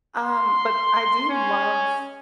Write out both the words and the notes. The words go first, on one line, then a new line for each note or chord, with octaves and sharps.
Um, but I do love
C6
C#4